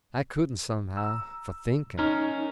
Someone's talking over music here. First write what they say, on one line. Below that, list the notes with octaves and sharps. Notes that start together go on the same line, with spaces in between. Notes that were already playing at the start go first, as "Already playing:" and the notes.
I couldn't, somehow, for thinking.
A#5 E6
C#4 D#4 A#4